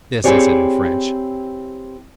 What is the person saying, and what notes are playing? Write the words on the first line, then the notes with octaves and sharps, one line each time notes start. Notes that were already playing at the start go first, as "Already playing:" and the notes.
This I said in French.
C4 E4 G4 G#4 C#5 D5